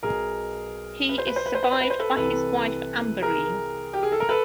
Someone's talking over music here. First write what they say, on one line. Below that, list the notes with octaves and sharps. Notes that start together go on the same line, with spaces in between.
He is survived by his wife, Ambereen.
B1 B2 G#4 A#4
B4
C5
B4
C5
B4
C5
B4
C5
B4
C5
A4 B4
C2 C3 E3 A4 B4
G#4 A#4
G4
G#4
A4
A#4
A4 B4